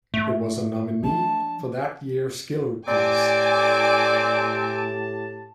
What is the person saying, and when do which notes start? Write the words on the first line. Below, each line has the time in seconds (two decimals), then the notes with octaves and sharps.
It was a nominee for that year's Giller Prize.
0.14 G#2 A3
1.03 F3 C#4 D4 A5
2.88 A2 C4 G4 D5 G#5 A5 D6